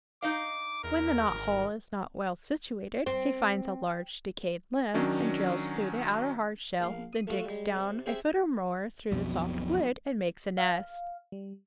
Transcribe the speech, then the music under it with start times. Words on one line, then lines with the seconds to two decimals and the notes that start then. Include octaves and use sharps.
When the knot-hole is not well situated, he finds a large decayed limb and drills through the outer hard shell, then digs down a foot or more through the soft wood, and makes a nest.
0.22 D#4 D#5 F5 D6
0.84 E2 A#4
1.29 G#1
3.06 C4
4.94 D#3 F#3 C#4 D4
6.81 A#1 F5
7.13 D#6
7.27 A3 F4 F#4 A4
7.45 G3 G#3
7.77 C3
8.06 C3 G#4 C5 E5 G5
9.12 B1 F2 B2
10.57 F5
11.32 G3